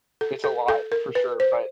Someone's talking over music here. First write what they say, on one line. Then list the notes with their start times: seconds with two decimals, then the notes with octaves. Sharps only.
it's a lot, for sure, but
0.21 A4
0.44 A4
0.68 A4
0.92 A#4
1.15 B4
1.40 C5